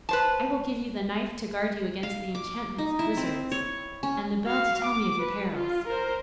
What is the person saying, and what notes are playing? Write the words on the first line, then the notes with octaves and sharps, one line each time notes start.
I will give you the knife to guard you against the enchantments of wizards, and the bell to tell me of your perils.
B4 C5 A5
F5
D6
D#4
E4
C4
C#5
C#4
F#4 F5
D6
B4
F4
A#4 C5